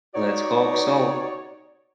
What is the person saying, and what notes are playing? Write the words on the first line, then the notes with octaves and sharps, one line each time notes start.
Let’s hope so.
D#4 F#4 C#5 D5